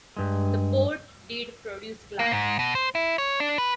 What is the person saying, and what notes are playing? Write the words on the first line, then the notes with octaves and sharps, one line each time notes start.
The port did produce glass.
G2 G#3
A#3
G#2
B2
C5
E4
C#5
D4
B4